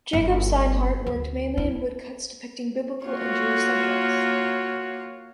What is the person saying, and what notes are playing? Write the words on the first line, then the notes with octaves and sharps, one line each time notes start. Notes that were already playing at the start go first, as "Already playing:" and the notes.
Jacob Steinhardt worked mainly in woodcuts depicting biblical and Jewish subjects.
G1
D2
E4
A#3 F4 F#4 C#5